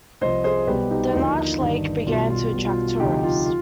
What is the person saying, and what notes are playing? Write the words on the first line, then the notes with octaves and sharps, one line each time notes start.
The enlarged lake began to attract tourists.
C2 C3 F3 C5 D#5
G#4 C5
B1 B2 G3 G4 B4
D#4 G4
D#2 D3 F3 D#4
G1 G2 D#3
B1 B2 G3 F4
F4
B1 B2 G3
F4
F4
D2 C3 F3 D#4 G4
F4
F4